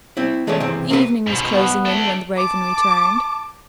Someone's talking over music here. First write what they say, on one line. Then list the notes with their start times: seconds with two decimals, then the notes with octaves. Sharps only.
The evening was closing in when the Raven returned.
0.17 C4 E4
0.47 E3 G#3 A3 C#4 G#4 D5
0.60 C3 E3 C4 G#4
0.90 A#3 C4 D#4 E4 G#4 B4
1.27 G#2 B2
1.50 B3
1.86 A3 D4
2.37 A5 D6